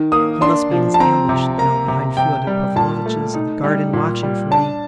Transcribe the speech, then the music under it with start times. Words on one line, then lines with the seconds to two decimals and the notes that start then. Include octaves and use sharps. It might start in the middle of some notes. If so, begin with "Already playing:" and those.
He must be in his ambush now, behind Fyodor Pavlovitch's, in the garden, watching for me.
Already playing: D#3
0.12 A#3 D#6
0.41 D4 C6
0.71 F3
0.94 A5
1.00 C4 A#5
1.29 C3
1.58 A#3 A#5
1.88 C3
2.17 C3 G5
2.47 G3
2.76 A#2 A5
3.06 A3
3.34 D#4
3.63 G3
3.93 A#2
4.23 G3
4.51 D4 A5